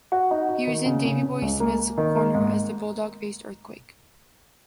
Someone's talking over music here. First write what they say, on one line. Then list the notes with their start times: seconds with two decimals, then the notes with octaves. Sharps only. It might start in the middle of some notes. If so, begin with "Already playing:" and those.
He was in Davey Boy Smith's corner as the Bulldog faced Earthquake.
0.12 F#4
0.31 D#4
0.48 F#4
0.67 D#3
0.86 C#3
1.05 C#3
1.23 C#3
1.42 C#2
1.60 A#3
1.79 A#3
1.98 D#3
2.15 A#3
2.35 G#2